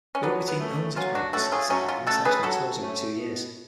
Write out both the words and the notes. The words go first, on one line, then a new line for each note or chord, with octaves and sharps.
The rugby team owns its private facility and internationally tours every two years.
C#4
F#3 B3 D4
B3
A3 C#4
F#3 C#4 F4
D4 F#4
A3 C#4 F#4 A4
F4 G#4
F#3 A3 C#4
C#4 F4
A3 C#4 F#4 A4
G#4 B4
F#3 F#4 A4
A3 C#4
B2